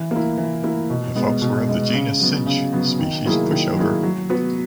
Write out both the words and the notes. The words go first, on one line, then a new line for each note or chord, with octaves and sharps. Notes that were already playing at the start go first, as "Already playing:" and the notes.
The folks were of the genus cinch, species pushover.
Already playing: E3
A#3
E4
E3
A#3 E4
B2
G#3 B3
B2
G#3 B3
C#3
F#3 B3
C#3
F#3 B3
D#3
F#3 A#3 E4 G#4
D#3
F#3 A#3 E4 G#4
F#3
B3 F#4 B4